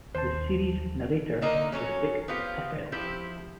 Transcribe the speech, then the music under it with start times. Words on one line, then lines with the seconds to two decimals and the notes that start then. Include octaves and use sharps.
The series' narrator was Dick Tufeld.
0.15 D#2 C5 A5
1.42 D3 A#3 D#4 E5
1.72 F#3 C#4 A4 C#5
2.28 B3 C4 F4 G4
2.92 F3 C4 E4 G4